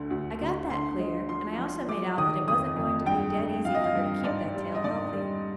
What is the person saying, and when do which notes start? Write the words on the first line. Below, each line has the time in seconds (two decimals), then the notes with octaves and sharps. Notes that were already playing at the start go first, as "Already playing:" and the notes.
'I got that clear, and I also made out that it wasn't going to be dead easy for her to keep that tail healthy.
Already playing: D2 D3
0.10 D2
0.41 D2
0.70 D3 C6
0.99 G#3
1.29 F3 C6
1.59 F3
1.89 G#3 D6
2.18 D#3 D#6
2.48 F2 D#6
2.76 F2
3.06 G2 G5
3.36 G2
3.65 F3 F5
3.75 D#5
3.84 F5
3.95 G2
4.24 G#2 D5
4.54 G3
4.75 D#5
4.84 G#2 D5
5.13 G3